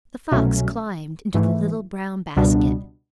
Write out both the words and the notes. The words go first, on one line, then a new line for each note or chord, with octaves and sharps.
The fox climbed into the little brown basket.
C2 B2 F#3 A3 C#4
G#2 E3 A3
C#2 B2 G3 B3 D4